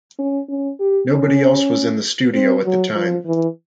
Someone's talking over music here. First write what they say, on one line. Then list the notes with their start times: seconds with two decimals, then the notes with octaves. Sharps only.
Nobody else was in the studio at the time.
0.19 C#4
0.49 C#4
0.80 G4
1.10 C#4
2.34 C4
2.65 F#3
2.95 F3
3.26 E3